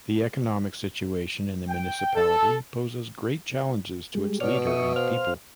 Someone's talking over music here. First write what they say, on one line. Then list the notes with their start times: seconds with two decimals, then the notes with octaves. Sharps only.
The economic situation in the municipality poses great challenges to its leader and people.
1.69 G5
2.16 A4
4.15 G3 G#3
4.40 B2 C#5 D5 F6
4.67 E5 C#6 D#6
4.96 C5 F5 F6